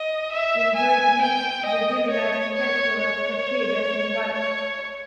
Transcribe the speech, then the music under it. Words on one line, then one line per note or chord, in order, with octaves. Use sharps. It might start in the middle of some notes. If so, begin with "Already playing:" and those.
In Greek myth, the divinized Hercules had Hebe as his wife.
Already playing: D#5
E5
G#5
G5
D#5
C#5
C#5
C#5
C#5